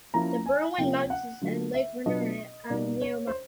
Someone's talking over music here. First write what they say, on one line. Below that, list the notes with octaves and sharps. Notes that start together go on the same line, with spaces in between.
The Berwyn Mountains and Lake Vyrnwy are nearby.
F3 A#3 C#4 E4 A#5
G#5
C3 F3 A#3 C#4 F4 G5
F#5
D3 F#3 A3 D4 F4
E5
B2 F#3 B3 D4 F4 D#5
B2 G3 A#3 D#4 D5
C#5
C5